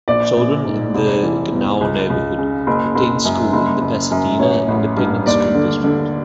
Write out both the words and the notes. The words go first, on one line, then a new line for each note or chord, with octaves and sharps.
Children in the Genoa neighborhood attend school in the Pasadena Independent School District.
A#1 D5
A#1
G#2
F1
E3
E2
C#2
C#2
C#3
F#1
F#1
F#2
F#1
F#1
F#2
A1 C#5
A1
G2
D#2 D5
D3
D3